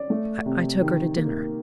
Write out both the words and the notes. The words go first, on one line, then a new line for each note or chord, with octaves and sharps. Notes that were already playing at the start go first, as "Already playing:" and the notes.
I took her to dinner.
Already playing: C#4 D5
A3
C3
D#3
A#3